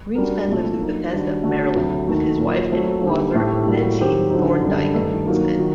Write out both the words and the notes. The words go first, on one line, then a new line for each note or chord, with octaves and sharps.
Greenspan lived in Bethesda, Maryland, with his wife and co-author Nancy Thorndike Greenspan.
G3 D4 F#4 A#4
C2 A#2 A3
F#3 A#3 D#4
D#3 G3 D4 F#4
D3 A3 D4 F#4
D2 C3 F#3
D#2 D#3 A3 D#4 F#4
A#2 F#3 A#3
F#3 A3 C4
D3 G3 A#3 D#4 G4
A2 A3 C4 G4
A2 G3 A#3 F#4
D#3 F#3 C4 G4
D3 F#3 C4 D#4
F#2 D3 G3
G2 D#3 A3 D#4 A4
D#3 F#3 A#3 D#4 F#4
D#3 F#3